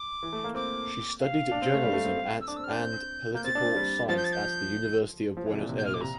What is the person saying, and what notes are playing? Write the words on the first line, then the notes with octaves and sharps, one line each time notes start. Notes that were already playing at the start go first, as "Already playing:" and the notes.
She studied journalism at and political science at the University of Buenos Aires.
Already playing: D6
E3
A3
A#3
C4 D6
F5
D4
C4
A3
G3
A3
C4
E6
D4 D6
E6
C4
F6
D4
G6
C4
A#3 G6
C4 A6
D4
C4
G3
F3 A6
G6
A6
G6
F3
E3
C3
A#2
C3
G6
F6
D6
C3 A#5